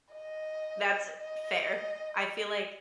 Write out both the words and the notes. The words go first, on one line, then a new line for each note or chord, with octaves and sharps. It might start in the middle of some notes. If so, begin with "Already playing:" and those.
That's fair. I feel like
D#5
D#5